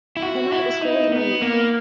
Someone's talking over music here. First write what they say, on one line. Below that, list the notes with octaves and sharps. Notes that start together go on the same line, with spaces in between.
The night was cold and rainy.
E4
F#4
E4
D#4
B3
A#3